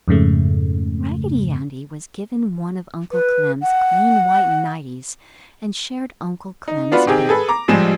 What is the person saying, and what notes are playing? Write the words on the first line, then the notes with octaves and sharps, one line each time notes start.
Raggedy Andy was given one of Uncle Clem's clean white nighties and shared Uncle Clem's bed.
F2 G#2 C#3 A3
B4
F#5
D#4
B3 D4 F4 F#4 B4
D#3 C4 G4 G#4
G#4 A4 B4
A#5 D6
A1 F3 G3 G#3 G#4 E7